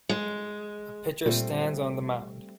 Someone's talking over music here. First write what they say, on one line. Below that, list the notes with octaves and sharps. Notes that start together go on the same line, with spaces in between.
A pitcher stands on the mound.
G#3
A#2 G3 A3 C4